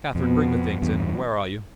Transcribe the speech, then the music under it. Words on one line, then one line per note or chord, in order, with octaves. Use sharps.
Catherine! bring the things in: where are you?'
F2 B2 B3
E2 G2